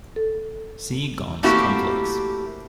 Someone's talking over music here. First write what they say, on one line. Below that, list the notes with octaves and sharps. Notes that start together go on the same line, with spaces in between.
See Ghon's complex.
A4
A3 A#3 C4 E4 F#4 G4